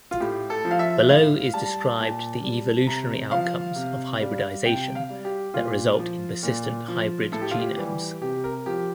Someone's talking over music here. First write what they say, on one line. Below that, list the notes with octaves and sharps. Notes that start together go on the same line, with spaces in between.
Below is described the evolutionary outcomes of hybridisation that result in persistent hybrid genomes.
F4
A2 G4
A4
F3
F5
E5
A2 F5
G3 A5
A#2
G3
C3 A#5
F3 F5
C3
G3
C3 G5
F5
G3
G4
A#2 F4
F3
A#2
F3
A2 A4
G4
F4
G4
E3 G3
C3 G4
A#4
F3 G4